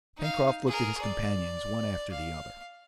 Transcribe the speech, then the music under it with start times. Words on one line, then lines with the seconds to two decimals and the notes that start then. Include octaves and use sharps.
Pencroft looked at his companions one after the other.
0.18 D#4 F5
0.67 G#4 A#4
1.01 D5
2.12 F5